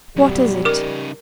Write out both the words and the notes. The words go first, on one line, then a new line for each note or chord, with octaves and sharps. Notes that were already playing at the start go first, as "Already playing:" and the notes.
"What is it?"
F#2 B2 G3
C#3 D#4 A#4 D6